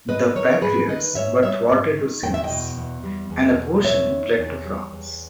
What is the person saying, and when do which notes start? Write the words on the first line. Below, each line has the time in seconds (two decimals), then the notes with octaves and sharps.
The Patriots were thwarted since, and a portion fled to France.
0.08 G#2 B4 D#5
0.35 D#3 A#4 C#5
0.62 G#2 G#4 B4
0.89 D#3 B4 D#5
1.15 G#2 C#5 E5
1.42 G3 C#5 E5
1.69 G#2
1.97 D#3
2.23 E2 G5
2.34 E5
2.44 D#5 G5
2.50 B2
2.77 E2
3.04 G3
3.30 E2
3.57 B2
3.84 E2 C#5 E5
4.11 D#3
4.38 E2
4.65 G3
4.92 E2